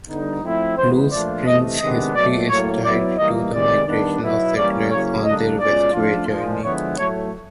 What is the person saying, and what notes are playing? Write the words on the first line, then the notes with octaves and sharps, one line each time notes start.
Blue Springs' history is tied to the migration of settlers on their westward journey.
D3 G3 B3 D#4
F3 A3 C4 E4
E3 G#3 B3 C5
A#2 F3 A3 D4 F4 D5
C3 E3 A3 D#5
C3 D#3 G#3 B3 D4 D#5
B2 F#3 A3 D5
A2 F#3 A#3 C#5
F#3 B3 E4 D5
E3 G3 A#3 D#5
C3 D#3 G#3 D5
D#3 G3 B3 D4
B2 F#3 B3 E4
E3 G3 A#3 C#4 D5
C#3 F#3 A#3 C#4 E4 C#5
D3 G3 A#3 D4 D#5
B2 G#3 C#4 F4 D5
F3 A3 D4 F4
A#2 F3 G#3
D3 F3 G#3 B3 E4 C#5
A2 F#3 A3 C#5